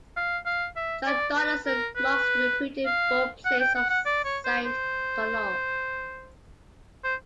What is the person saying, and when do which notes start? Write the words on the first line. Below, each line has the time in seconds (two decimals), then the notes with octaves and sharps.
John Donaldson, marks the reputed burial place of Saint Conal.
0.17 F5
0.46 F5
0.76 E5
1.07 D5
1.37 B4
1.66 A#4
1.96 B4
2.86 F5
3.45 F#5
3.60 G5
3.75 F#5
3.90 F#5
4.06 D5
4.24 C#5
4.44 C5
4.65 C5
7.04 C5